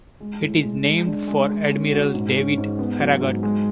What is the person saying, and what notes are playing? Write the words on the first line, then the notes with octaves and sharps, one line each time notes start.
It is named for Admiral David Farragut.
G#3
A2
G#3
G#3
D4
G#3
G#3
C#4
F#4
G#2
C#4
G#2
B3
F#3
G#2
G#3